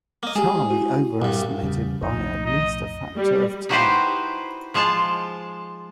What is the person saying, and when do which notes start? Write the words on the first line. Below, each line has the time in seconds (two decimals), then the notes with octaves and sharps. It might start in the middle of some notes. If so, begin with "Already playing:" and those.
Charlie overestimated by at least a factor of ten.
0.23 A#3 D#5
0.36 G#3 G4 G#4
0.70 E4 F#4
1.22 C2 G2 A#2
1.63 E2 C#3 G3
2.02 B1 F2 A2 D#4
2.46 D#5
3.16 G3
3.69 D#4 E4 F#4 G4 B4 C5
4.74 F3 G#3 F4 A5